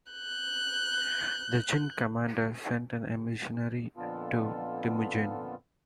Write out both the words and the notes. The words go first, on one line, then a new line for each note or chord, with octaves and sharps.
The Jin commander sent an emissary to Timujin.
F#6 G6
F2 A#2 D3 B3 F4 A4